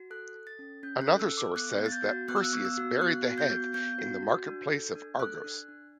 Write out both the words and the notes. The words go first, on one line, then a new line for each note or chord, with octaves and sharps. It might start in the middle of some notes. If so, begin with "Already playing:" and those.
Another source says that Perseus buried the head in the marketplace of Argos.
Already playing: F#4
A4 F#6
A4
A6
C#4
C#4 G6
F#6
A4
E6
A4
D6
B3 F#6
B3
A6
G6
F#4
B3 F#6
E6
F#6
B3
E6
F#4
B3 F#6
F#4
G6
B3
B3 G6
F#4
F#4
D4
A4
D4
A4 F#6
D4
D4